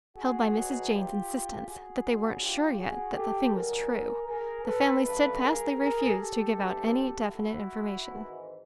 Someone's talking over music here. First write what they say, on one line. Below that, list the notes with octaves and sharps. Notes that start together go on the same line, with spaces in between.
Held by Mrs. Jane's insistence that they weren't sure yet that the thing was true, the family steadfastly refused to give out any definite information.
F#4 G#4
E2 B2 F#3
F4 G4
F#4 G#4
D2 D3 F#3
F4 G4
F#4 G#4
G4 A4
G2 D3 F#3 G#4 A#4
G#4 A#4
A4 B4
G2 E3 G3 A#3 A4 B4
G#4 A#4
G#4 A#4
G4 A4
G2 E3 A3
E4 F#4
G#1 G#2 E3 G#3